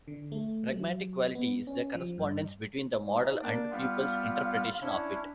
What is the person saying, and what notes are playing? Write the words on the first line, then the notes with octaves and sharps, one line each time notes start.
Pragmatic quality is the correspondence between the model and people's interpretation of it.
D3
A3
F#3
B3
C#4
F3
G2
D#4
A#3 D4 D5
G3 B3 F4 F5
C#4 D4 E4